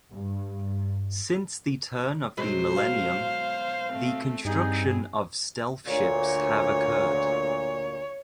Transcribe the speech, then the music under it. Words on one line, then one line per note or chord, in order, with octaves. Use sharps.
Since the turn of the millennium, the construction of stealth ships have occurred.
G2
B2 F#3 G#3 C5
F5
A3 C4
G2 C4 D#4 G#4
D2 A#2 C#5